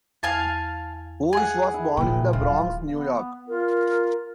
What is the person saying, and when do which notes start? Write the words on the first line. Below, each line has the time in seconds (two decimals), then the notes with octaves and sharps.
Wolf was born in the Bronx, New York.
0.23 E2 F5 G#5 A5
1.33 G#4 F#5 G#5
1.74 E4
1.97 A#2 D#3 G5
2.33 D1 F4
2.87 B3
3.48 F4 A#4